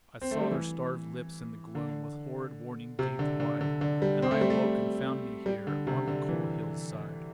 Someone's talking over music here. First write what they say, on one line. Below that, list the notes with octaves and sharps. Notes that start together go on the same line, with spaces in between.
I saw their starved lips in the gloam, With horrid warning gaped wide; And I awoke and found me here On the cold hill's side.
C4
A3
G3
E3
D3
C3
D3
D3
D3
D3
G3
C4
A3
G3
A3
G3
D3
C3
D3
E3